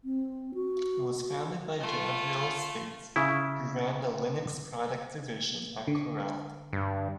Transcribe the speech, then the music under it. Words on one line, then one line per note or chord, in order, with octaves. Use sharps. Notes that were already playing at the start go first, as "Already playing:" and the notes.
It was founded by Gavriel State, who ran the Linux product division at Corel.
C4
F#4
A3 F4
C#3 E4
D3
G2